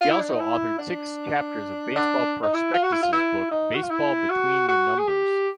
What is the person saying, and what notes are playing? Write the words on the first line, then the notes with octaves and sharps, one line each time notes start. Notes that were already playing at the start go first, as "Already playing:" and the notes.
He also authored six chapters of Baseball Prospectus's book "Baseball Between the Numbers".
F4
E4
D4
D#4
E4
D4
D4
D#4
E4
F4
F#4
E4
F4
E4
D#4
F#4
F4
E4
F#4
F#4
G#4
G4